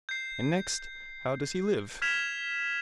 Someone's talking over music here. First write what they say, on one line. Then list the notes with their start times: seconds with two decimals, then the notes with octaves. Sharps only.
And next, how does he live?
0.09 G6 C7
2.02 F6 G#6 B6 E7 F7